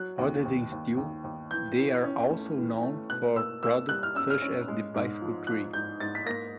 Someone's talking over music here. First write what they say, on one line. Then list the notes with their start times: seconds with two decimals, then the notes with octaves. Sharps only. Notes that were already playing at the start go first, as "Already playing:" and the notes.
Other than steel, they are also known for products such as the bicycle tree.
Already playing: F#3 F#6
0.18 D#2
0.45 D#2
0.72 D#2
0.97 D#2
1.24 D#2
1.51 E3 G6
1.78 E3
2.04 C#4
2.30 A3
2.57 E3
2.83 A3
3.09 B2 F#6
3.36 A#3 E6
3.63 A#3 E6
3.89 G3 F#6
4.03 F6
4.15 C#4 E6
4.30 F6
4.42 C#4
4.68 G#3
4.94 G#2
5.21 F3
5.47 F3 F#6
5.73 G#2 G6
6.00 G#2 A6
6.15 B6
6.26 A#3 A#6